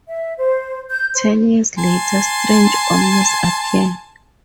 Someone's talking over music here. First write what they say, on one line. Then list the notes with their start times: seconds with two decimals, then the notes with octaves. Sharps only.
Ten years later strange omens appear.
0.09 E5
0.38 C5
0.90 G6
1.14 C5
1.78 G#5 A5 C6